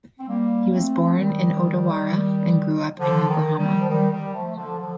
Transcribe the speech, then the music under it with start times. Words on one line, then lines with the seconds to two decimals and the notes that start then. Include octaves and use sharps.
He was born in Odawara and grew up in Yokohama.
0.19 C4
0.27 G3 A#3
0.73 A3 C4
1.17 D#3 G3
2.98 D3 F3
3.28 D#3
3.58 D#3 G3
3.79 F3
3.88 D#3 G3
4.11 D#3 G3
4.33 F3 A3
4.56 D3 F3
4.78 D3 F3